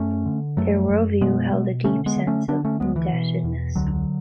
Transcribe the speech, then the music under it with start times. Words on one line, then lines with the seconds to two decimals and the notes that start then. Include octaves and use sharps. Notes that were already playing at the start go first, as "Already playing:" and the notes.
Their worldview held a deep sense of indebtedness.
Already playing: F#2 A3 C#4
0.25 D3
0.57 F#2 F#3 A3
0.90 F#2
1.21 B2 G#3 B3
1.53 B2
1.84 D3 A3 C#4
2.06 G#3 B3
2.16 D3
2.27 A3 C#4
2.48 D3 B3 D4
2.65 A3 C#4
2.80 D2 G#3 B3
2.96 E3
3.13 B2
3.44 E2
3.76 C#2 D3 F#3